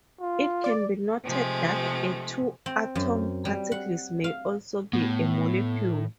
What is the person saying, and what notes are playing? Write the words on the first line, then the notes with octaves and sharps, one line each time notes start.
It can be noted that a two atom particle may also be a molecule.
F4
D5
C3 F3 G#3 A3
C4
F#2
G3
F#5
F5
A2 B3